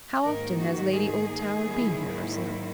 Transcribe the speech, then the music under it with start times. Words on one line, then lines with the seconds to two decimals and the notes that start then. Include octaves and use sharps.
"How often has Lady Oldtower been here, Ursula?"
0.24 G#2 D#3 A#3 D#4 A#4
0.59 F#4
0.94 G#4
1.63 G#2 D#3 F#3 A#3 E4